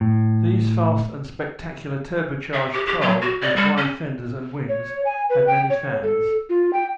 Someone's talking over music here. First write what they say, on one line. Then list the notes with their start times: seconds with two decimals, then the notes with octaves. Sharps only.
These fast and spectacular turbocharged cars with wide fenders and wings had many fans.
0.01 A2
2.53 E5
2.74 G4
2.87 G4
3.01 F#3
3.22 F#4
3.41 D5
3.56 G3
3.77 C#4
4.69 C#5
5.05 G#5
5.30 B4
5.47 G5
5.70 C#5
6.03 A4
6.50 F4
6.73 G5